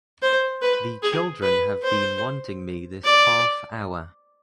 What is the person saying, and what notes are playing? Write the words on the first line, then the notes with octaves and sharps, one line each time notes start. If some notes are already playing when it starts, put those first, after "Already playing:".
The children have been wanting me this half hour.
C5
B4
G#4
B4
C5
D5